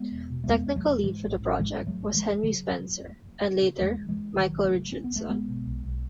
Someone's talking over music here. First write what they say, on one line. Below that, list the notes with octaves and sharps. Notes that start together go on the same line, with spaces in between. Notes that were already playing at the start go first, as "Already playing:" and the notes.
Technical lead for the project was Henry Spencer, and later Michael Richardson.
Already playing: G#3 B3
E1
B2
A3
E2 G#3 B3
E1
F#3 A3
E1
G#2 E3 G#3
A1
A1
G#2 E3 G#3
G#2
F#3 A3
A1
A3
F#1 E3 G#3
F#1
D#3 F#3
C#3
F#2
F#1
F#1
F#1
F#1
C#3
E2 E3 G#3
F#1
E3 G#3
F#1
G#1 D#3 F#3
G#1
F#3 A3
C#3
F#2 C#4
B3
G#1
A3
G#1 G#3 B3
B2
B1
B1